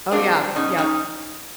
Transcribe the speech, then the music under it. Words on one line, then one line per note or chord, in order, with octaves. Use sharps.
Oh yeah, yep.
F#3 A#3 C4 D4
B2 C#4 D#4
C#4 D#4